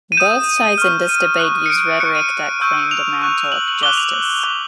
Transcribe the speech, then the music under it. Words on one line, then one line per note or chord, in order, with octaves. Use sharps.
Both sides in this debate use rhetoric that claims the mantle of "justice".
D#7
D#6 G6 E7
C#6 F6
D#7
C#6 F#6
C#7
D7
C#6 F#6 C#7
D#7
C#6 E6 G6
F7
C#6 F#6
F#7
F#7
D6 F#6 G7
F7
D6 F#6